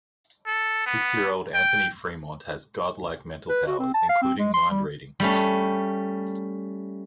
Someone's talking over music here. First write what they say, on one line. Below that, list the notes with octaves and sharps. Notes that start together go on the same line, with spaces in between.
Six-year-old Anthony Fremont has godlike mental powers, including mind-reading.
A4
B3
G5
B4
F#4
C4
A5
F5
C4
G#3
C6
G3
G3 A3 C#4